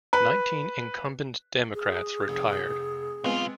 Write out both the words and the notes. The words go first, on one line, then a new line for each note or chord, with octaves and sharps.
Nineteen incumbent Democrats retired.
B4
G#4
F1
B1 G#3 B3 C4 F4